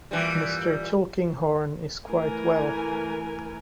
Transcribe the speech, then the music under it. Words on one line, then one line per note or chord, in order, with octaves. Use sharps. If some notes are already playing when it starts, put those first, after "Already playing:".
Mr. Tulkinghorn is quite well.
A#2 E3 G3
E3 A3 A#4 G#5